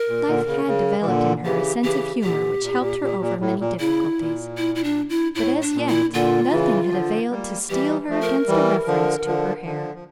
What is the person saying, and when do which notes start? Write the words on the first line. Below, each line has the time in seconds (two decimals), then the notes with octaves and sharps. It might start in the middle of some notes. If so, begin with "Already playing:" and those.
Life had developed in her a sense of humor which helped her over many difficulties; but as yet nothing had availed to steel her against a reference to her hair.
Already playing: A#4
0.09 A#2
0.27 A#2 D3
0.47 C#3
0.68 C#3
1.01 E3
1.05 A#2 D3
1.45 C#3 E3 G4
1.84 C#3 E3 G4
2.23 A#2 D3 G4
2.62 A#2
2.71 A2
2.78 A#2
3.01 A#2
3.21 A#2
3.41 A2
3.60 A#2
3.79 C#3 E4
4.19 A#2
4.57 E4
4.75 E4
4.84 D4
5.10 E4
5.35 A2 E4
5.62 D4
5.75 A#2
5.88 E4
6.13 A#2 D3 F4
6.52 C#3 E3
6.91 D3 F3
7.31 G3 A#3
7.70 E3 G3 G4
8.09 F3 A3
8.22 A#4
8.48 E3 G3
8.87 D3 F3
9.26 D3 F3
9.65 D3 F3
9.94 F3